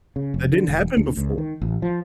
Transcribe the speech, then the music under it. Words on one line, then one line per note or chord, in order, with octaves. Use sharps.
that didn't happen before,
C#3
F1
D3
E1
D2
C#2
D#3
A1
F3